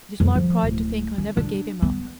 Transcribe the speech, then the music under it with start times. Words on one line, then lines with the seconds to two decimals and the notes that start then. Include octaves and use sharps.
It is my pride to think I never gave him up.
0.20 F2
0.35 F3
0.63 D1
1.18 C#4
1.37 D4
1.82 B3